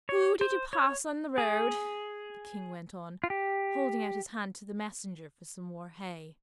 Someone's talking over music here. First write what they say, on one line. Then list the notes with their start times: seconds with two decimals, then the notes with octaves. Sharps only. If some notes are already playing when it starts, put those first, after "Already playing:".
'Who did you pass on the road?' the King went on, holding out his hand to the Messenger for some more hay.
0.09 C#5
0.41 C5
0.73 C#5
1.38 G#4
3.24 F4
3.30 G4